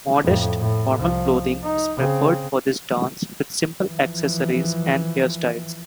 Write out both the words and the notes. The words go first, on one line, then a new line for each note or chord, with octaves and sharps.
Modest, formal clothing is preferred for this dance with simple accessories and hairstyles.
F2 A2
A2
C2 F3
D#4
C#3 C4
E3 F3